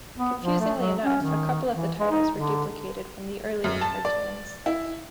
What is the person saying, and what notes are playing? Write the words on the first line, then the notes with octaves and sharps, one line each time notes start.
Confusingly enough, a couple of the titles were duplicated from the earlier cartoons.
B3
F3
A3
F#3
C#4
D#3
E3
G#3
D#4
D3
F#2
A5
D5
E4